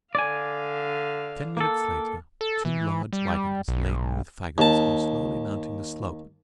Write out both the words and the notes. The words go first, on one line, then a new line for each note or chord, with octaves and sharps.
Ten minutes later two large wagons laden with fagots were slowly mounting the slope.
D3 D5 F5 G#5
A#3 A4
A4
E3
G3
B1
D#2 A5